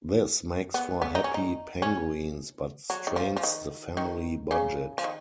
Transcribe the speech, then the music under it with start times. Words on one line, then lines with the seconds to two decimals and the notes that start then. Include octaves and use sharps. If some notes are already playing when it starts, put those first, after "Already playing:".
This makes for happy penguins, but strains the family budget.
0.74 B3
1.02 B3
1.15 D#4
1.24 C#4
1.34 D#4
1.82 C#4
2.90 F#3
3.07 D#3
3.16 F3
3.37 F3
3.43 D#3
3.97 D#3
4.51 C#3
4.98 F3
5.04 D#3